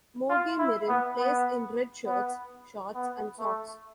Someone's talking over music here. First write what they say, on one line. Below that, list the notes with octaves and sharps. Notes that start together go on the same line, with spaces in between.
Mogi Mirim plays in red shirts, shorts and socks.
F4
E4
B3
B3
B3
B3
A3